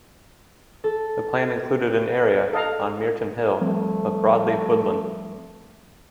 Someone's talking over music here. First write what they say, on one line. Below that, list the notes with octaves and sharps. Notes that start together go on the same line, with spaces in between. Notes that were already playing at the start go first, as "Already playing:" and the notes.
The plan included an area, on Myreton Hill, of broadleaf woodland.
A4
A4 D#5 F5 A#5
F3 G3 A3 C4